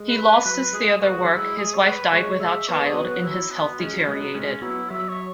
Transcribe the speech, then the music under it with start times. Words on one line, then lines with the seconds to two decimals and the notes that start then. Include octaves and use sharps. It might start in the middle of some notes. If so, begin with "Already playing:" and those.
He lost his theater work, his wife died without child, and his health deteriorated.
Already playing: G#3
0.09 B4
0.27 B4
0.45 F#3 B4
0.73 G#3 G#4
1.01 B3 F#4
1.13 G#3
1.25 F#3 E4
1.37 G#3
1.57 G#4
1.75 C#5
1.85 B4
2.12 G#3 C#5
2.40 G#3 E5
2.68 B3 C#5
2.80 G#3
2.87 G#4
2.93 F#3 B3
3.04 F#4
3.23 F#3 E4
3.51 B3
3.79 G#3 C#4
3.93 F#3
4.06 G#3 B3
4.17 G#3
4.20 F#3
4.35 G#3 C#4
4.62 F#3 B3 E4
4.90 F#3 E5
5.09 C#5